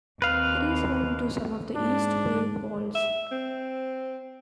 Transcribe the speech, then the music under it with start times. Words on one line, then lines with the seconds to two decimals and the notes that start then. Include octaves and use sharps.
It is home to some of the East Bay Walls.
0.22 D#2 C4 B4 F5
1.75 G#2 D4
2.95 E5
3.32 C4